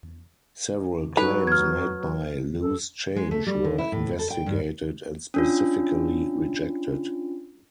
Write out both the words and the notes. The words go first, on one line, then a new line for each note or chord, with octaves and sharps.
Several claims made by "Loose Change" were investigated and specifically rejected.
F#3 D#4 A4 B4 F7
F6 G#6
A4
G#3
A3
G3
D3
E4
A2
A4
G5
G2
C#4 D4 F4